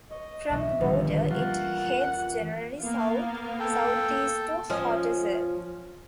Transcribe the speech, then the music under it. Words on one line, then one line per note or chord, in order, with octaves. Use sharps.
From the border, it heads generally south-south-east to Hotazel.
C#5 D#5
B1 B2 E3 C#5 E5
G#1 G#2 B2 D3 D#3 F3 G3
E3 A#3 C#4 F4 A#4 F#5
F2
A#3 B3 F5
A4 G5
F3 C#4 D#5